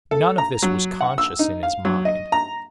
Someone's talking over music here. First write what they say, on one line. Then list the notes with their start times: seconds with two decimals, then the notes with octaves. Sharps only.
None of this was conscious in his mind.
0.11 A4
0.38 A#5
0.62 F#3
1.01 F#5
1.18 E6
1.39 D#4
1.63 F5
1.85 F#3
2.05 D#5
2.32 A#5